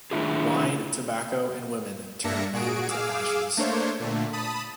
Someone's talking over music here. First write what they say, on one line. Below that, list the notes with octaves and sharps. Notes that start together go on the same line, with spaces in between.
Wine, tobacco and women turn men to ashes.
A2 D#3 D4 E4 F4 G#4
G2 A#3 D4 E5 A#6 C#7
A#2 F#4 G#4 D7
G#4 F5 D6 E6
A3 A#3 D4 C5 C#5
A#2 D3 A3
A5 B5 D#6